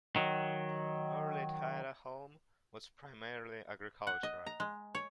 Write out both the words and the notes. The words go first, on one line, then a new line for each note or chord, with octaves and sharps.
Early Tidaholm was primarily agricultural.
D#3 F#3
F#5
D#5
A#5
G#3
C#5